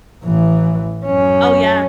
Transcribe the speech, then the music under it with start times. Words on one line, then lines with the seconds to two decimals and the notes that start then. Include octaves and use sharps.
Oh, yeah.
0.24 A1 E3
1.06 F#2 C#4